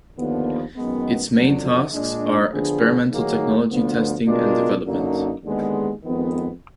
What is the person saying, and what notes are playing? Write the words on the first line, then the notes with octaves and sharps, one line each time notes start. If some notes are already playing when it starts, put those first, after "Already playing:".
Its main tasks are experimental technology testing and development.
D#2 D3 F3 B3
F#2 D#3 G#3 B3
F2 D3 F#3
A#2 G#3 D4
D3 F3 B3 D4 G#4
D#3 F#3 A#3 D#4 G#4
D2 D3 F3 B3
B2 G#3 D4 F4 A#4
F#2 D3 F#3 A#3 D#4
D#2 D3 G#3 B3
F2 D#3 G#3 B3